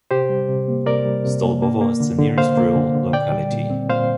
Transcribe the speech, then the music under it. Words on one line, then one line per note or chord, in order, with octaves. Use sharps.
Stolbovo is the nearest rural locality.
C3 G4 C5
G3
C3
A#3
C3 A#4 D5
G3
C3
A#3
A#3
A#3
D3
D3
A#3 C5 F5
A#3
D3
D3
A#2 D5 G5
G3
A#2
C4
A#2 C5 F5